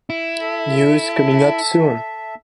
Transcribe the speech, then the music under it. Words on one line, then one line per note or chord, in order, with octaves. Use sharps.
News coming up soon.
E4
A4 E5